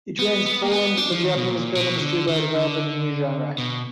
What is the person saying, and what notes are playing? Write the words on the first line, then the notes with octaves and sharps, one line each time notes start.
He transformed the Japanese film industry by developing a new genre.
B3
B3
A#3
B3
D4
F3
D#3
B2
A#2
B2
D#3
D3
D#3
D3
B2